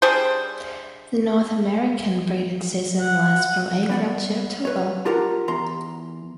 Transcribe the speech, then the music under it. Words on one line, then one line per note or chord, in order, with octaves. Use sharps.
The North American breeding season lasts from April to October.
G3 D4 G#4 C5
F#5
G3 B3 D5 F#5
B4 C#5
D4 F4 G4 A#4 F#5 A#5
E2 A#5 C6